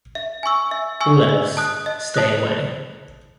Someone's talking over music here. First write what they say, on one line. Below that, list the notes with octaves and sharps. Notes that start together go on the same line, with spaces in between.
All else, stay away.
E5
G#5 C#6 E6
E5
G#5 C#6 E6
D#5
A5 D#6 F#6
D#5
A5 D#6 F#6